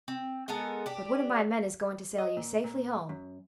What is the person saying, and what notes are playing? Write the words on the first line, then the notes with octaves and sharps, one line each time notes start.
But one of my men is going to sail you safely home.
C4
G#3 B3 A4 A#4
D4 G4
D#5
A#2
A#2
F#2